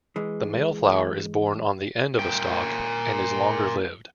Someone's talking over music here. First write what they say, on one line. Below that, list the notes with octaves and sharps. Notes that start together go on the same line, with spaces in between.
The male flower is borne on the end of a stalk and is longer-lived.
E3 G#3
A#2 G5